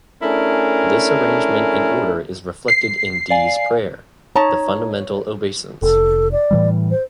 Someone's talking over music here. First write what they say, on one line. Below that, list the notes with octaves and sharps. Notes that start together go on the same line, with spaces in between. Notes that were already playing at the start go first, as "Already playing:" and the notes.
This arrangement and order is reflected in Dee's prayer - The Fundamental Obeisance.
A3 C#4 D4 E4 G#4 A#4
C7
D5 F5 G#5
D#4 C#5 A5 A#5
F1 A4
D5
A2 E3 G3
C5